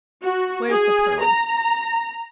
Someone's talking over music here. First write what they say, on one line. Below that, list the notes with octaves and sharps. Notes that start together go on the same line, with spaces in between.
Where's the Pearl?
F#4
G#4
A#5